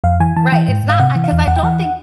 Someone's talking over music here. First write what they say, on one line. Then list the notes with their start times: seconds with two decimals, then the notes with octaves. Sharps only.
Right, it's not I 'cause I don't think
0.04 F2 F5
0.20 E3 G#5
0.36 E3 A5
0.52 E3 G5
0.68 G#2
0.84 G#2
0.89 F5
1.00 C3 F#5
1.16 E3
1.24 F5
1.32 E2
1.47 E2 F#5
1.56 G5
1.63 E3 F#5